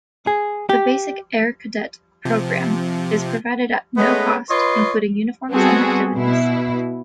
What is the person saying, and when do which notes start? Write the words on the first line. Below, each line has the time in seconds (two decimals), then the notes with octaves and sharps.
The basic Air Cadet program is provided at no cost, including uniforms and activities.
0.27 G#4
0.69 G4
2.25 C3 F3
3.97 G#3 A3 B3 C#4 B4 D#5
4.50 F4 B4 C#5 D#5 C6
5.51 G3 B3 C4 F#4 G#4 A4
6.13 B2 E4